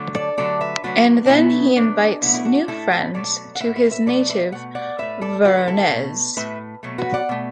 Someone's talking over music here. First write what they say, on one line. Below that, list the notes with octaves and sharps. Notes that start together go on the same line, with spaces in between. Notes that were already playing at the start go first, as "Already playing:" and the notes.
And then he invites new friends to his native Voronezh.
Already playing: D3 F#3 A3
A4 D5
D3 F#3 A3 A4 D5
B4 E5
D3 F#3 A3 F#4 B4
D4
B2 F#3 A3 B3 E4
B2 F#3 A3 D4
B2 F#3 A3 B3 E4
E4
D4 F#4
A2 A3 E4 A4
F#4 B4
B2 F#3 A3 A4 D5
F#5
A2 A3 B4 E5
B4 E5
B4 E5
B2 F#3 A3 A4 D5
B4 E5
B2 A3 F#5
D5 F#5
A2 A3 B4 E5
A4 D5
D3 A3 F#4 B4
E4 A4
B2 A3
A2 A3 B4 E5
B2 F#3 A3
F#4 B4
D5 F#5
B2 A3